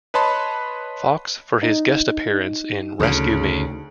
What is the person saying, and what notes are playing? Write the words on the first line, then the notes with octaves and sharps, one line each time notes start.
Fox for his guest appearance in "Rescue Me".
B4 C#5 D#5 A5 B5 C6
D#4
D2 C#3